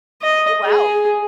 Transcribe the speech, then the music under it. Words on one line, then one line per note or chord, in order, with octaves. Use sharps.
Oh wow.
D#5
G#4